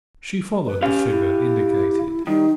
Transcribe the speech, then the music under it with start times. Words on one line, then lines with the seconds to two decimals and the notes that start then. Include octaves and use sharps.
She followed the figure indicated.
0.66 B4
0.82 C#4 G4 F5
1.11 E4
2.27 D#3 G3 D#4